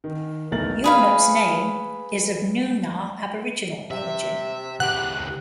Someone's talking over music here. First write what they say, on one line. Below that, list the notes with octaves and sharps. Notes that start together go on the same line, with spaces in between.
Yornup's name is of Noongar Aboriginal origin.
D#3
B1 E2 A3 A#4 A6 F#7
G#4 B4 F5
C3 E5
C#2 G4 F#5 F#6